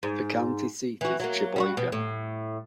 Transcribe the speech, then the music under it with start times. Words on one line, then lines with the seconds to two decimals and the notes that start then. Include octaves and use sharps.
The county seat is Cheboygan.
0.03 G#2
1.01 E3 F#4
1.20 F#3 A#3
1.56 G3 E4 F#4
1.77 B2
1.92 A2